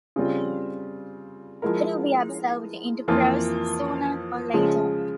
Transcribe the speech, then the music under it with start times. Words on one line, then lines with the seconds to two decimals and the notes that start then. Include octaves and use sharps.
It'll be absorbed into prose sooner or later.
0.16 C#3 G3 C4 F4
1.62 F3 G#3 E4 A#4
3.08 F2 E3 A#3 F4
4.54 C#3 F3 G#3